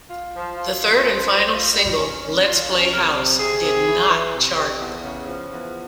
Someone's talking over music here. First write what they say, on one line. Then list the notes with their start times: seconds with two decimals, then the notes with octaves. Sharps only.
The third and final single, "Lets Play House", did not chart.
0.10 F4
0.34 F3
0.57 F4
0.81 F3
1.03 C#4 C5
1.28 G3
1.50 F4
1.75 G3
1.98 C#4
2.21 C#4
2.45 F4
2.69 C#4
2.92 C3 A#4
3.15 C3
3.39 C3 G#4
3.62 C3
3.86 E3
4.09 E3
4.33 C3
4.57 C3
4.81 E2
5.04 C#3
5.27 F3
5.51 E2